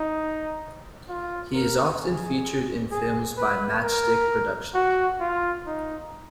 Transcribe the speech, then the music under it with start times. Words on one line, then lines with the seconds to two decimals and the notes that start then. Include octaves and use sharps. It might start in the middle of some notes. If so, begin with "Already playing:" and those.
He is often featured in films by Matchstick Productions.
Already playing: D#4
1.09 F4
1.54 A#4
2.00 G#4
2.91 G#4
3.37 B4
3.83 A#4
4.74 F#4
5.20 F4
5.66 D#4